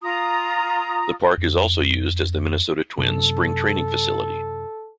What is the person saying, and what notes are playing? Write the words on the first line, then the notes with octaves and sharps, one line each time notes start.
The park is also used as the Minnesota Twins' Spring training facility.
F4 A#5 D#6
F2
F#2 C3 A4